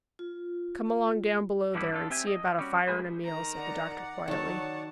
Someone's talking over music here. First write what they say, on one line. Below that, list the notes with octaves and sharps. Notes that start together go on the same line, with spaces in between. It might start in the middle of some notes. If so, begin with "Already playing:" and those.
"Come along down below there, and see about a fire and a meal," said the doctor quietly.
F4
G2 D3 E3 G3 B3 E4
D4 F4 A4
C4 G4 E5 G#5
D#5
G3 C#4 F#4
G#3 A3 D#4 G#4 B4 C5
D#3 A#5
D5 F#5
D#3 F#3 C#5 A5